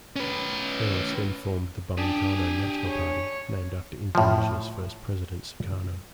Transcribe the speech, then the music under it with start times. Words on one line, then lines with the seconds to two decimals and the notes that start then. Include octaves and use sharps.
Eros then formed the Bung Karno National Party, named after Indonesia's first president Sukarno.
0.16 C#4 B4
1.98 D4 G4 G#4
2.88 C#5
4.15 A2 F3